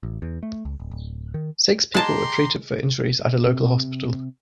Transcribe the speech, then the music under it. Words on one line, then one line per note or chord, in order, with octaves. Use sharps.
Six people were treated for injuries at a local hospital.
A1
E2
A3
C#2
D1
D1
D#3
G#3 G4 A5 A#5 C6
C3